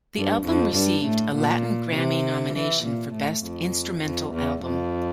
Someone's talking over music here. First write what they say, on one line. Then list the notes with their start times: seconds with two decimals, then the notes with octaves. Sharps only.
The album received a Latin Grammy nomination for Best Instrumental Album.
0.16 G2
0.45 F2
0.75 G2
1.06 A2
1.36 A#2
1.95 C3
2.55 E3
2.84 A#2
3.14 A2
3.45 F2
4.03 F2
4.33 E2
4.64 F2